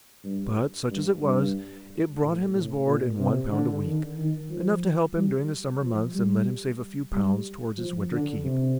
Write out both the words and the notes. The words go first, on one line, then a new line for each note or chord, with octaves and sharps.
But, such as it was, it brought him his board and One pound a week--enough to help him during the summer months and let him save a few pounds towards his winter keep.
G2
G2
G2
A2
A2
A#2
C3
D3
D#3
D#3
F3
G3
F3
G3
G3
F3
D3
C3